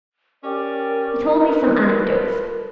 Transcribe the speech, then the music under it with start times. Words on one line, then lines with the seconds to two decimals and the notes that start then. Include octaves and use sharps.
He told me some anecdotes.
0.44 C#4 G4 A#4 D5
1.40 F4 A4 B4